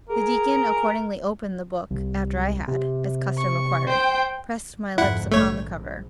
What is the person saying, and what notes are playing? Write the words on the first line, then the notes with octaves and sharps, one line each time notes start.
The deacon accordingly opened the book, after I had, as custom required, pressed my lips upon the cover.
G#4 A#4
C2
C3
C#6
C5 G5
F2 G#2 D3 E4 F#5
A#1 A3 C#5